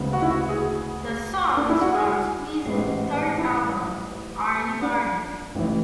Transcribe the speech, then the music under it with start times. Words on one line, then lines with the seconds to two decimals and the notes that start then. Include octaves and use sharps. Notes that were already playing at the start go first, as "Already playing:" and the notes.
The song is from Squeeze's third album, "Argybargy".
Already playing: D2 C#3 G#3 B3
0.13 F#4
0.22 E4
0.31 F#4
0.49 G#4
1.57 D4
1.69 E4
1.81 F#4
1.94 G#4
2.65 A1 G#2 G#3 B3
3.38 E4
4.82 D4
5.55 A1 A2 E3